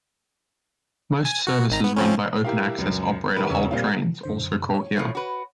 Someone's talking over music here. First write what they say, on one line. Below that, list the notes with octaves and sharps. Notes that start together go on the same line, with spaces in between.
Most services run by open access operator Hull Trains also call here.
G#5
F#4
G#1 D#3 A#5
B3
F3 C4 C#4
E4 G4 A#4 F5
C#2 F#2
D#3 G4 A#4 B4
E1 C#3 C#5
A#2 G3 C4 F4
F#2 D3 C5
C#5
A2 F3 A3
F#4 B4